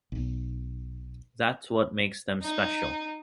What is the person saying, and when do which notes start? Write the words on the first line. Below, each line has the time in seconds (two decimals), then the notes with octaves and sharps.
That's what makes them special.
0.12 B1
2.42 D#4